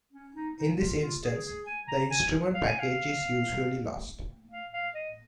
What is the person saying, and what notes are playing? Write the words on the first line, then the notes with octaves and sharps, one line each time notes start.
In this instance the instrument package is usually lost.
C#4
D#4
D#4
F4
F4
G#4
G#4
G#5
A#5
G#5
F5
G#5
F5
F5
F5
D#5